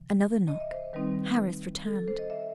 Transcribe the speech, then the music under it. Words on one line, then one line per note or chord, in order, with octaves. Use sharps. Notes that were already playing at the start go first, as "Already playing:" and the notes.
Another knock: Harris returned.
Already playing: C3 E3
D#5
E5
C5
D#3 G3 C4 D#4 B4
A4
A4
C5
D#5
E5